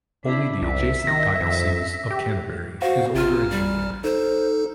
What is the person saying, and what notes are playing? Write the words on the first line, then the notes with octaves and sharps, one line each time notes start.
Only the adjacent Diocese of Canterbury is older in England.
D4 E4
C2 E5
D#3 A#6
F2
G4
F#4 C5 F5 F#5
A1 F4 F6
G3
D#4 A4 C5